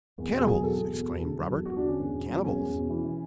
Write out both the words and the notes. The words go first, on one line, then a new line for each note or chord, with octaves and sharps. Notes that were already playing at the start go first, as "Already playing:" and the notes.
"Cannibals!" exclaimed Robert, "cannibals?"
E2
B2
G#4
F#3
E2 A4
E2
B2
E2
D3
F#3
E2
E2 F#4
D4
D3 C#4
E2
B2
F#3
E2 C#4
E2
B2
E3
E3